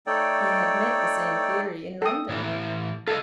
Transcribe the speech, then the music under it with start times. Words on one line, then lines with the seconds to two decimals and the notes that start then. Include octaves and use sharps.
He had met the same theory in London.
0.07 A3 D#4 A4 C#5 D5 G5
2.02 A4 G5 D#6
2.29 A2 E3
3.08 F4 G#4 A4 D#5